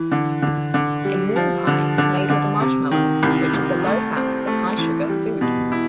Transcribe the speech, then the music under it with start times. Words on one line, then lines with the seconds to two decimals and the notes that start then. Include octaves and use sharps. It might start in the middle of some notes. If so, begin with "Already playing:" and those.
A MoonPie is made with marshmallow, which is a low-fat but high-sugar food.
Already playing: E3
0.11 D3
0.42 D3
0.74 D3
1.04 G3
1.36 F3
1.67 D3
1.98 D3
2.30 D3
2.60 C3
2.91 D#3
3.23 C2
3.54 C2
3.85 A3
4.17 C4
4.47 A3
4.78 E3
5.09 G3
5.41 B2
5.72 E4